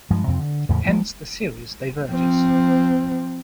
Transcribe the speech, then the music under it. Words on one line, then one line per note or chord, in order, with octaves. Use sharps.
Hence the series diverges.
G2 F3 G#3
F2 C3 C4
D3
E2 A2 C#3
F3 G3 A3 A#3
F3 C4